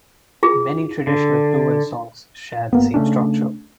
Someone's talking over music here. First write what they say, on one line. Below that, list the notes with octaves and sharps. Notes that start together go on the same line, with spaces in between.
Many traditional Tuvan songs share the same structure.
F4 G#4
D3
G1 A#3 B3
C#3 A3 C#4 D4